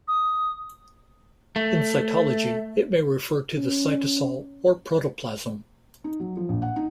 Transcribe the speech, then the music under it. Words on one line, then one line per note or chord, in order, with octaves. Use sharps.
In cytology, it may refer to the cytosol or protoplasm.
D#6
A3
C#4
D#4
F#3
F3
A#1
F#5
D#4